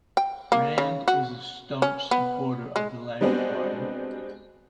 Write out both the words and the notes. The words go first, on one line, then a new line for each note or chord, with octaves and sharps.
Brand is a staunch supporter of the Labour Party.
G5
A#3
C#3
F#4
C#4
B3
G#3
G3 G#3 B3 C4 D4 F#4